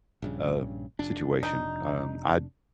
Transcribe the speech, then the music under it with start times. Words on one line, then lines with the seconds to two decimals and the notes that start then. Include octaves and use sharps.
uh, situation. Um, I
0.22 A#1 G2 C#3
0.99 F1 D4
1.43 D#4